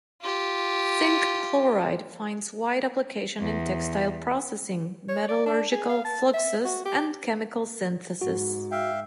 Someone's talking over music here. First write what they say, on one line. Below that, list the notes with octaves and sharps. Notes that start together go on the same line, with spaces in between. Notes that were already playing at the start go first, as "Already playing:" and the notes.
Zinc chloride finds wide application in textile processing, metallurgical fluxes, and chemical synthesis.
F4 G4
E2
C#5
D5
D4
G#4
F5
A5
E5
F#4
G4
G#2 F#4
E5 F5 G5